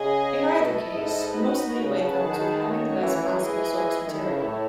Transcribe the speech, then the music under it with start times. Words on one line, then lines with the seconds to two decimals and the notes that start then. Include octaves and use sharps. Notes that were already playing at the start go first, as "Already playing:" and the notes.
In either case, the most leeway comes with having the best possible source material.
Already playing: C#3 G#4 D#5 G#5
0.59 B2 E4 A4 D#5
0.94 G#2
1.29 D#4 F#4 B4 D#5
1.81 C#3
1.98 C#3 G#4 B4 F#5 A5
2.10 C#3
2.22 D#3
2.34 D#3
2.68 A3 C#4 F#4 C#5
3.03 E3
3.15 E3
3.27 F#3
3.38 E3 G#4 D#5 G#5
4.07 D#3 E4 A4 C#5
4.25 C#3
4.43 A2